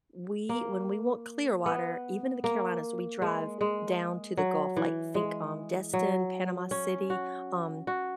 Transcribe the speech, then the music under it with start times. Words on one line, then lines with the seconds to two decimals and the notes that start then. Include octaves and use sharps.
we when we want clear water, even in the Carolinas, we drive down to the Gulf, like, think, um, Destin, Panama City, um
0.49 A#3
1.66 B3
2.44 A#3
3.22 G#3
3.61 G#3
4.37 F#3
4.77 E3
5.15 G#3
5.94 F#3
6.71 C#4
7.10 F#4
7.87 F#4